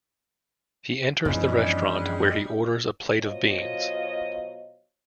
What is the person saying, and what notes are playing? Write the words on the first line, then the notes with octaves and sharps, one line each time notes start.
He enters the restaurant, where he orders a plate of beans.
F#2 E3 F3 G3 G#3 B3 C#4 D4
B2 F#3 F4 C5 C#5 D#5